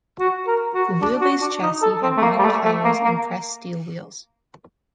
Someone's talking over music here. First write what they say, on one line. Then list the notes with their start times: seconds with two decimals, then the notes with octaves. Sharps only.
The wheelbase chassis had balloon tires and pressed steel wheels.
0.20 F#4
0.47 A#4
0.74 F#4
1.02 D4
1.21 F#4
1.41 D4
1.63 D#4
1.83 A4
2.03 C4
2.17 A3
2.23 A#3
2.39 G3
2.44 A3
2.65 A3
2.85 A#3
3.04 A#3